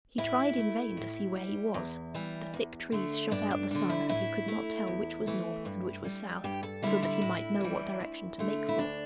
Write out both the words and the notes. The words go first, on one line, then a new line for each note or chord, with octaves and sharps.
He tried in vain to see where he was: the thick trees shut out the sun, and he could not tell which was north and which was south, so that he might know what direction to make for.
A2 E4
A3
A2
G3
E2
E3 G3
E2
D3 A3
G2 D4
D4
D3 G3 D4
E4
A2 E4
A3
E2
E3 A3
G2
G3
G2 G4
A4
D3 G3 E4
E4
A2
E3 G3
D2
D3 A3
E4
D2 D4